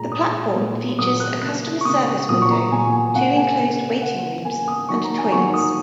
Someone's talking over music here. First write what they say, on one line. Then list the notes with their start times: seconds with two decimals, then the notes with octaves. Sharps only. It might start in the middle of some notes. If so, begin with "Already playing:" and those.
The platform features a customer service window, two enclosed waiting rooms and toilets.
Already playing: A#2 G#3 A#5
0.11 A#2 G#3 D#6
0.55 A#2 F#3 A#3
0.98 A#2 F#3 A#3 D#6
1.20 F#6
1.41 C#3 A#3 F#6
1.81 C#6
1.85 C#3 A#3 D#6
2.29 A#2 F#3 A#3 D#6
2.42 C#6
2.51 A#5
2.72 A#2 F#3 A#3 G#5
2.93 G#5
3.15 C#3 A#3 F#5
3.36 G#5
3.58 C#3 A#3
4.02 C#3 A#3 F#5
4.45 C#3 A#3 G#5
4.68 D#6
4.88 D#3 F#3 A#3 C#6
5.04 A#5
5.18 G#5
5.32 D#3 F#3 A#3 C#6
5.54 D#6